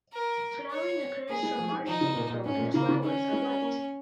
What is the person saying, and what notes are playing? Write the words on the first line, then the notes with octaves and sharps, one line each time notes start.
Flowering occurs from March to April and the flowers are white.
A#4
C#5
A#3 G#4
G#3
F3
G#3
D#3
F3 D#4
C#3
A#2
A#2
G#2 C#4
A#2
C#3 A#3
C#3
D#3 C#4
G#3
A#3